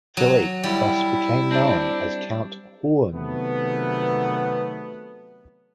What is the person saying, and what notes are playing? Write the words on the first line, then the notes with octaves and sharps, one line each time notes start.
Philippe thus became known as Count Hoorn.
F#3
G3 E4
C4 D4
C3 D#3 F#3 A3 B3